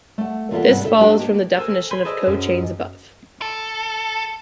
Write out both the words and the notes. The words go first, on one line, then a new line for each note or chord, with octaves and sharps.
This follows from the definition of cochains above.
A3 F#5
E2 A#3 F4 A4 E5 F#5
G2 C3 G3 A4 F#5
D3 A4 E5
D4 D#4 G4 C5 F5 A5
A#3 G4
A4 A#4 C5 G#5
G#5 B5 C6 G6
G#4 A4 B4 C5 D5 D#5
F#2
A4